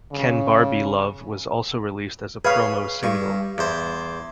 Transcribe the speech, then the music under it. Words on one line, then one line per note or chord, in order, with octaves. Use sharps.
"Kenbarbielove" was also released as a promo single.
C#3
G#4 B4 C#5 F5
G2 C#6
E2 C5